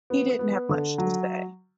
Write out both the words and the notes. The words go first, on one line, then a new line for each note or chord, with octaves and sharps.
He didn't have much to say.
B3
B3
D3
F#3